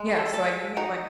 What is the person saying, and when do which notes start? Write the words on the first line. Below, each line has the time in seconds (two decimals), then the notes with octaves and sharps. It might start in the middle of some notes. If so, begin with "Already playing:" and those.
Yeah, so I can make my
Already playing: G#3
0.18 A4 A5
0.34 A4
0.47 G#4 G#5
0.77 D#4 F#4 F#5